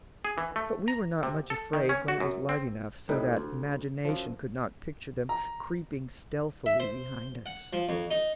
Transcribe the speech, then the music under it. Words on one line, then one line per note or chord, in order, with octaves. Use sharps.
But we were not much afraid when it was light enough, so that imagination could not picture them creeping stealthily behind us.
G#4
E3
A3
A#5
C3
A4
D#3
C#4
F#4
F#2
C4
C2 A2 G3 D#4 B4
D2
F#2 F3
A#5
E5
C5
F#5
F3
F2
D#4